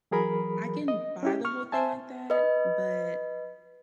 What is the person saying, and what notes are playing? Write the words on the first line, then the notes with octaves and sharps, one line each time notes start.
I can buy the whole thing like that, but
E3 F#3 G#4 A#4 B5
D#5
C#4 E4 G4
C#6 F6
C5 E5 G#5 A5
B4 D#5